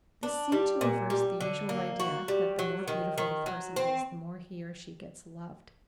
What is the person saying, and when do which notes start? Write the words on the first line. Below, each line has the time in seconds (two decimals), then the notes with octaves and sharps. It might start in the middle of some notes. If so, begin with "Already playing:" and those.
This seemed to reverse the usual idea, that the more beautiful the person is the more he or she gets loved.
0.23 D4
0.52 G3
0.81 A#2
1.10 G3
1.41 D3
1.69 A#3
2.00 F#4
2.28 G3
2.59 F#3
2.88 D#3
3.18 D#3
3.46 F#3
3.76 C4